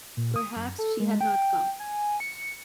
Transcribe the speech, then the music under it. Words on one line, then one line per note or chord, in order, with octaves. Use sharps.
Perhaps she had not come.
A#2
D#6
F#2
A4
G#3
G5
G#5
C#7